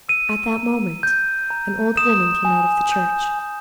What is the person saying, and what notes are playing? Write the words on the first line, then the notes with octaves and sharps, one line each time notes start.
At that moment an old woman came out of the church.
E6 D#7
A#5
G6
A#5
D#6 E7
G#5
G6
G#5